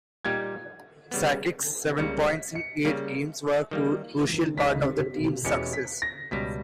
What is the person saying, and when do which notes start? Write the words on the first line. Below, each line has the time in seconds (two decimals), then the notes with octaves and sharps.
Sakic's seven points in eight games were a crucial part of the team's success.
0.25 A#2 G3 A#3 D#4 G4 G#6
1.11 C#3 G3 B3
1.98 C#2 C#3 G3 A#3 C#7
2.27 B6
2.55 C#7
2.85 C#3 G3 A#3
3.71 D#3 G3 A#3
4.58 C#2 C#3 G#3 B6
5.45 E2 B2 G#3 C#4 G4 C#7
5.73 B6
6.02 A#6
6.31 C#2 B2 G3 B6